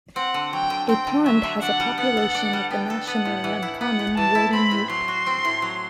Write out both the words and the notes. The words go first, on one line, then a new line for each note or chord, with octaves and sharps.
A pond has a population of the nationally uncommon warty newt.
C4 F#5
D3
F#3 G5
D3
C4 G5
D3
F#3 E5
D3
D4 F#5
G3
B3 F#5
A4
D4
G3
B3 G5
A4
B3 F#5
A2
E3
E4
B3 F#5
A2
E3 A5
E4
C4 B5
A2
F#3 C6
F#4
C4
A2
F#3